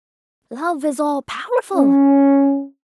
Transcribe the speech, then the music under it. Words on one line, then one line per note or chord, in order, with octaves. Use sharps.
Love is all-powerful.
C#4